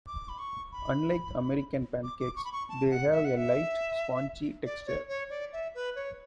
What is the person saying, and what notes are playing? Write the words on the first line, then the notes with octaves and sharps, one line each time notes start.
Unlike American pancakes, they have a light, spongy texture.
D6
B5
C#6
B5
D6
D6
C#6
B5
C#6
A5
F#5
E5
F#5
E5
D5
C#5
C#5
D5
E5
B4
C#5